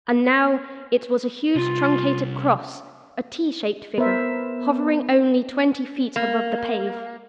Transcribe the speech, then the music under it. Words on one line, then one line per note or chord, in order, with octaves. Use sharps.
And now it was a huge truncated cross, a T-shaped figure, hovering only twenty feet above the pave.
C2 F4
B3 A#4 C5 E5
A#3